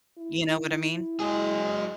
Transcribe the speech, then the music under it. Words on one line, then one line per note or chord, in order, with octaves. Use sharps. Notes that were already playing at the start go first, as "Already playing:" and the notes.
You know what I mean?
E4
F#3 G#3 G#4